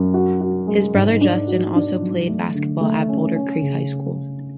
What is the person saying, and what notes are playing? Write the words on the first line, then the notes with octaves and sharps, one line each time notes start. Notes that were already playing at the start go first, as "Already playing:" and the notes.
His brother Justin also played basketball at Boulder Creek High School.
Already playing: F#2
F#4
F#4
G#3
G#2
D4
F#4
D4
F#3
A3
D3
A3
C#4
C#4
C#3